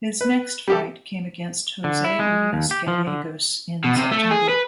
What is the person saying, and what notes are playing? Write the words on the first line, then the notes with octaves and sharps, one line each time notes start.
His next fight came against Jose Luis Gallegos in September.
B4
G3 G4 A4
D3
E4
G#3
D#2
G4
F3
D3
B2
C3
A3
G#4
B4